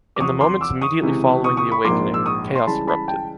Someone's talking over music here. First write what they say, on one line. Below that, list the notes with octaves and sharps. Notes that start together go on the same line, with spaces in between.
In the moments immediately following the awakening, chaos erupted.
D6
E2 C3 F3 C#6 D#6
C6 D6
D6 E6
C#6 D#6
C#2 C3 E3
C#6 D#6
C#6 D#6
B5 C#6
A#1 G#2 F3 A#3 C6 D6
E6
C#6 D#6
C6
C#2 C#3 E3 G3 A5 B5
A5 B5
G5 A5